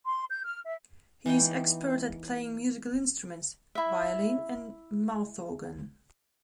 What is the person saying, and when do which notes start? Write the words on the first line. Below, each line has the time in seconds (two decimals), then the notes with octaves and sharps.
He is expert at playing musical instruments: violin and mouthorgan.
0.06 C6
0.29 G6
0.45 F6
0.64 E5
1.26 E3 B3 D#4 G5
3.75 E4 E5